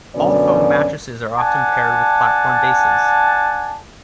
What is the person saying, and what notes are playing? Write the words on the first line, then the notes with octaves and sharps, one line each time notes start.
All-foam mattresses are often paired with platform bases.
F#2 B2 D3 C#4 D5
D4 F#5 G#5 A5